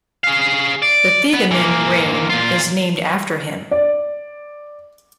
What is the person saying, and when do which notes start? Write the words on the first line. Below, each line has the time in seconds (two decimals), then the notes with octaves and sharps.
The Thiedemann rein is named after him.
0.24 G#4 F5
0.82 D5
1.33 B3
1.51 E3 A#3
2.30 A#2 F4
3.71 D5